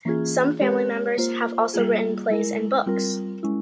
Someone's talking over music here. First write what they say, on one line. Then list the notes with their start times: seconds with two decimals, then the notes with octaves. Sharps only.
Some family members have also written plays and books.
0.05 E3 A#3 C#4 F4 G#4
0.61 G#3 C4 G4 A#4 C#5
1.18 A#3 F4 C5
1.74 G3 A#3 F4 G#4
2.30 G#3 E4 A#4
2.86 G3 C4 F4 A#4
3.43 G#3 C#4 E4